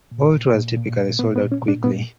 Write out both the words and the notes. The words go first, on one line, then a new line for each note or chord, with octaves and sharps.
All tours typically sold out quickly.
A#2
A#2
A#2
A#2
A#2
A#2 B3
B3
A#2
C#4
A#2
D4
A#2 B3